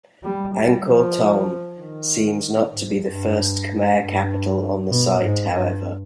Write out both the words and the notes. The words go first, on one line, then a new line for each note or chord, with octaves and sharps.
Angkor Thom seems not to be the first Khmer capital on the site, however.
G3
G3
F3
D#3
G#2
G2
G2
B2
G#2
G2